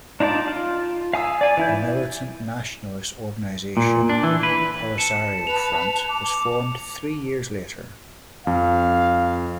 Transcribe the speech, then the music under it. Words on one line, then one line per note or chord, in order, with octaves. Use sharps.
The militant nationalist organization Polisario Front was formed three years later.
D4 D#4 F4 D5 A5
F4
F5 G#5 D#6 E6
D5 G#5
E3 E4 G6
A#2
D4
E3
B4
A5 C#7 E7
B4 F7
D6
F2 F5